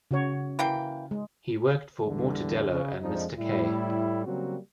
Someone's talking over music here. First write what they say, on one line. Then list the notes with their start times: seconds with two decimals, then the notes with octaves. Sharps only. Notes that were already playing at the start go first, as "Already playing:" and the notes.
He worked for "Mortadelo" and "Mister K".
0.11 C#3 F#4 C#5
0.59 E3 A#3 G5
1.11 G#3
2.05 E2 D3 E3 G3
2.69 C#3
3.02 F2 F3 G#3 D4 D#4
3.38 A2 G3 E4
4.26 C#3 F#3 G3 A#3 C4 F#4